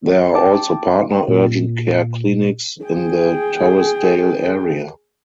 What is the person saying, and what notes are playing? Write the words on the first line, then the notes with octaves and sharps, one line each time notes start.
There are also partner urgent care clinics in the Torresdale area.
G5 A5 D6
A#2
G#4 G5